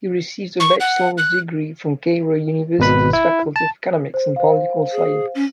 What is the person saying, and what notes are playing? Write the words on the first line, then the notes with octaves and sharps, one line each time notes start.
He received a bachelor's degree from Cairo University's Faculty of Economics and Political Science.
C#6
F#5
F#6
G#1 B2 B4 B5
E4
A5
C5
C5 F5
G#4
C#4